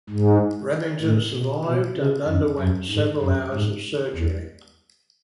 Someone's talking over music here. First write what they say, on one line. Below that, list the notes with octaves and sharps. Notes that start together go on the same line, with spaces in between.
Remington survived and underwent several hours of surgery.
G#2
A2
B2
B2
C#3
F#2
F#2
G#2
F#2
G#2
E2